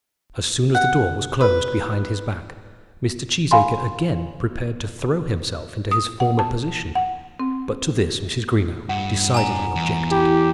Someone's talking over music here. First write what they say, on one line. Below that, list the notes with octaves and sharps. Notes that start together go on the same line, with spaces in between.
As soon as the door was closed behind his back, Mr. Cheesacre again prepared to throw himself into his former position, but to this Mrs. Greenow decidedly objected.
F#5
B4
F5 G#5 B5 C6
D#6
F#5
A5
F#5
C4
G2 F#5
G#5 A#5
E2
E4 G4